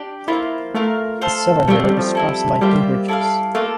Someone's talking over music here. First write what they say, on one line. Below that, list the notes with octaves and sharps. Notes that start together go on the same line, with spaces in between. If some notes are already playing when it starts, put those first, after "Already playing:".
The Severn River is crossed by two bridges.
Already playing: D4 G4 D5
A#3 E4 F4 C5
A3 F4 A#4 F5
F4 A4 C5
G3 A3 C4 F4
G3
F3
C4 E4 A4
G3 A#3 F4 C5 E5
E4 A4 D5 F5
A3 A#3 F4 A4